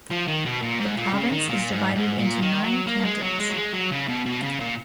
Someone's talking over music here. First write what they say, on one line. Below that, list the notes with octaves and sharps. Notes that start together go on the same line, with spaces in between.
The province is divided into nine cantons.
F3
D#3
B2
A#2
G#2
A#2
C#3
D#3
A#2
G#2
G#2
A#2
D#3
F#3
A#3
G#3
F#3
G#3
F#3
G#3
F#3
C#3
B2
B2
C#3
A#2